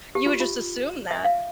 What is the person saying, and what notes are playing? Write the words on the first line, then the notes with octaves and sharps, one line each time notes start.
You would just assume that.
G4
F4
F4
E5
F5